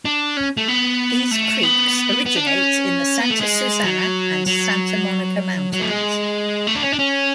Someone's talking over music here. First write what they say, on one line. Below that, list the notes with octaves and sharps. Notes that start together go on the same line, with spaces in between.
These creeks originate in the Santa Susana and Santa Monica Mountains.
D4
C#4
A3
B3
A3
B3
B3
D4
C#4
B3
A3
G#3
F#3
F#3
F#3
A3
G#3
A3
D4
C#4
D4
C#4